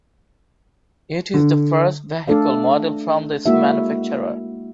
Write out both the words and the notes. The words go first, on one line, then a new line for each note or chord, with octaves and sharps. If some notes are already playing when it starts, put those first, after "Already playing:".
It is the first vehicle model from this manufacturer.
D3
A3 D4 A4 D5 F5
G#3 A#3 E4 F#4 E5